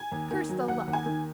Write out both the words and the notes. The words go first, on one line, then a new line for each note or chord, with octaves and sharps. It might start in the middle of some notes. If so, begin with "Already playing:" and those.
Curse the luck!
Already playing: G#5
D#2
D#3
F#3
D#2 F#5
D#2
G#5
D#3